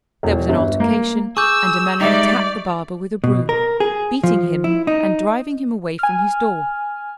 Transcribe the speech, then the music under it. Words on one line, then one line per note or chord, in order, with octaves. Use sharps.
There was an altercation, and Ammella attacked the barber with a broom, beating him and driving him away from his door.
E1
G1
A#3
G#4 C#6 D6 E6 G6
G3 G#3 D#4 D5 E5
B2
A#4
G#4
F3
E4
D#4
G#5 F6